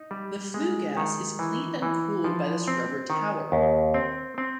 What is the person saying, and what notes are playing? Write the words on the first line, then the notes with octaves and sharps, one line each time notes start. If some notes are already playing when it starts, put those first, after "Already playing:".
The flue gas is cleaned and cooled by the scrubber tower.
Already playing: D#4
G3
G#3
D#3
E3
E3
F3
C4
D#3
D#2
C4
C4